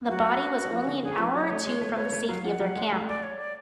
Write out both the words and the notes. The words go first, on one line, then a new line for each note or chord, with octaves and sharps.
The body was only an hour or two from the safety of their camp.
F#3 F#4
F3
D3
D3 G#4
F3 B4
F#3 C#5
A3
G#3
A3
B3 C#5
A3
F#3 F5
F3 F#5
F#3
G#3
A3 F5
D5
C#5
D5